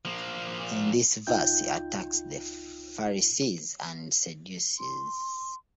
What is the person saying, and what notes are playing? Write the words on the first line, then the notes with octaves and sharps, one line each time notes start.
In this verse he attacks the Pharisees and Sadducees.
F3 A#3
C#2 D#4 F4 G5 G6
C6